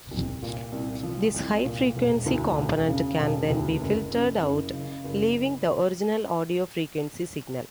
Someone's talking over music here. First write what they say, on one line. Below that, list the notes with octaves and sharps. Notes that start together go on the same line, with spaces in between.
This high-frequency component can then be filtered out, leaving the original audio frequency signal.
C2
A#2
C2
F3
C2
A#2
E1
D2
E1
C#3
E1
D2
F#1
F#2
F#1
C#3
F#1